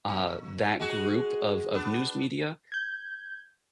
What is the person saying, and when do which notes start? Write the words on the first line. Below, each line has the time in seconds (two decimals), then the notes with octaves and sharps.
uh, that group of of news media,
0.09 A#2
0.80 G#3 F#4 G#4
1.74 B3 D4
2.72 G6 G#6